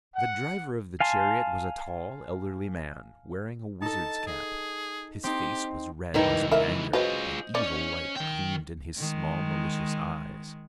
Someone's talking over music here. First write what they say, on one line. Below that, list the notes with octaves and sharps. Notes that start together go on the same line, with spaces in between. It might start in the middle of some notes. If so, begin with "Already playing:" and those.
The driver of the chariot was a tall, elderly man, wearing a wizard's cap; his face was red as with anger, an evil light gleamed in his small malicious eyes.
F#5
F5 G#5 A5 C6
D#4 A4 A5
G#4
C4 D#4 G4
C#2 G2 D#3 E3 D#4
D#4 A#4 E5
F4 F#4 G#4 B4 C5 D#5
C#4 C#5 D5
D#3 G5
D#3 G#3